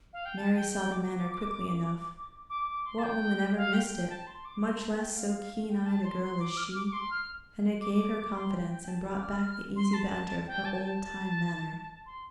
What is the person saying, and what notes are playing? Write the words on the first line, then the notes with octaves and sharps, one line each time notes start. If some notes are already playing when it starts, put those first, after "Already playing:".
Mary saw the manner quickly enough--what woman ever missed it, much less so keen-eyed a girl as she--and it gave her confidence, and brought back the easy banter of her old time manner.
F5
G5
A5
G5
G5
D6
D6
D6
C6
A5
G5
F5
G5
G5
A5
C6
D6
C6
A5
G5
F5
G5
A5
C6
C6
D6
F6
D6
C6
F6
D6
C6
G5
G5
G5
A5
D6
F6
F6
C6
A5
G5
A5
G5
A5
C6